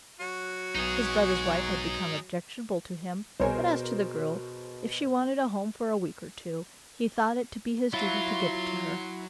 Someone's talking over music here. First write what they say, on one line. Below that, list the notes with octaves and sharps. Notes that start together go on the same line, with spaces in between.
His brother's wife had become objectionable to him, but as to the girl, if she wanted a home for a week or two, he thought it to be his duty to give it to her.
F#3 F#4
B1 D#4 G#4
C2 B2 F#4 G#4 A#4 C5 C#5 G#5
F#3 E4 F4 C6